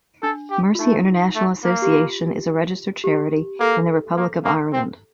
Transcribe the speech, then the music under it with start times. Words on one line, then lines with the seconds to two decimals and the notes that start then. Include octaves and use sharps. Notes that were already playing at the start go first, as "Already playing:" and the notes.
Mercy International Association is a registered charity in the Republic of Ireland.
0.22 D4 A4
0.50 G4
0.75 F4
0.79 A3 D#4
1.35 A3
1.64 A#3
1.82 G4
1.92 F4
3.04 G4
3.60 A#3 A4
4.16 A#3
4.44 A#3
4.73 C4